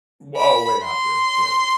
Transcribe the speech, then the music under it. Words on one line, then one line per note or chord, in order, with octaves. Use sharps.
W oh, way after. Yeah.
B5
C6